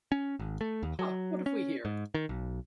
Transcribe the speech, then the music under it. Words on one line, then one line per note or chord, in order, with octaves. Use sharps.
Ha, what have we here!
C#4
G#1
A3
D#2
F#3
C#4
G#2
D#3
B1